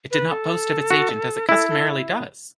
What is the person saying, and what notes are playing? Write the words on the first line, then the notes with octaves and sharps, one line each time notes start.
It did not boast of its agent as it customarily does.
B4
A4
F#4
E4 A4
A4